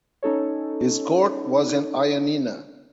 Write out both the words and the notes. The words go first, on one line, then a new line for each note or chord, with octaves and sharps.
His court was in Ioannina.
C#4 D#4 A4 C#5